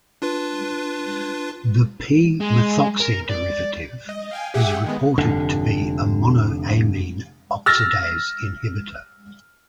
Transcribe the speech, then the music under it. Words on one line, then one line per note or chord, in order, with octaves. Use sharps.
The "p"-methoxy derivative is reported to be a monoamine oxidase inhibitor.
D4 F4 B4
G#3
A#4
D5
D#5
F5 G5 G#5
G4 G#4 E5 F#5 G5
D#3 G#3 B3
F1 D3
E6 F6 A6 A#6